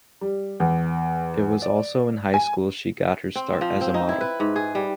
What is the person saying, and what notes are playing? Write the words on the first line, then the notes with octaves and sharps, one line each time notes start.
It was also in high school she got her start as a model.
G3
E2
D5
G#5
C4
F3
C4
D#4
E4
B4
G#2
G#4
G3